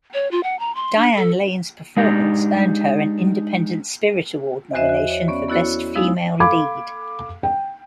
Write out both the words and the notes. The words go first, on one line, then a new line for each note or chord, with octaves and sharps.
Diane Lane's performance earned her an Independent Spirit Award nomination for Best Female Lead.
C#5
F4
F#5
A#5
C6
D4
A4
G#3 D4 D#4 G4
E2 F3 F#4 C5 D#5 E5
F#4
C#5
B3 C#4 D5
B3 E4 F#4 A4 C#5
F3 G#3 B3 D#4 E4
A4 F5 B5 D6 G#6
G5